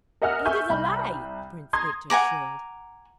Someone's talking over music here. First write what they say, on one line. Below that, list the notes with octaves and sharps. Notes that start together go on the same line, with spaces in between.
"It is a lie!" Prince Victor shrilled.
A#4 D#5 E5 F#5 G#5 F6
E5 G#5 C#6 G6
C2 B5
A#5 C6 D#6 G#6
F#5 G#5 A#5 D6